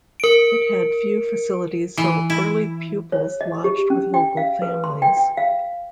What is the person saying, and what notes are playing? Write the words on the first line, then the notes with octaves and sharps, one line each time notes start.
It had few facilities so early pupils lodged with local families.
A#4 D7
E3
E4
C#5
D#5
G4
C#4
G5
F5
B4
C6
G5
G5
F5